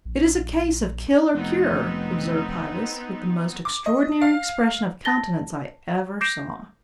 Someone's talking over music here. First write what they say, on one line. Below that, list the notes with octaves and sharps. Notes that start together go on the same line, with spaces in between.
"It is a case of kill or cure," observed Pybus, with the most extraordinary expression of countenance I ever saw.
A#1
F1 B3 C4 D#4
D6
D#5
F5
A5 A6 A#6 G7
D6 G6 A#6 C7 D7 E7